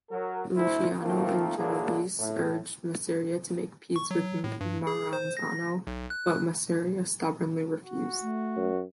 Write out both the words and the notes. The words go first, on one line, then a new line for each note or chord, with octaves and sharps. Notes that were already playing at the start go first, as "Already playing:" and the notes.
Luciano and Genovese urged Masseria to make peace with Maranzano, but Masseria stubbornly refused.
F#3 A#4
D2 E4 C5
D#3 F3 A3 A#3 C4 F4
A#2 D3 F#3 A#3 E4 G#4
A2
C#6
F#3
A2
G2
G#4
C5
A#6
B1
F#6
F#4
A3
F#2